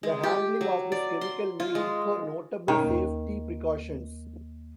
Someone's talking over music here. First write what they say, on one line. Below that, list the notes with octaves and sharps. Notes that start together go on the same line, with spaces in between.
The handling of this chemical may incur notable safety precautions.
G#3
G4
F#3
D5
C6
F4
G#3
G2 B2 D#3 C#4
D#2 A#3